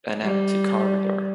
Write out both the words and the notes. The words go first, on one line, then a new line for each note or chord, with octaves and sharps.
An empty corridor.
G3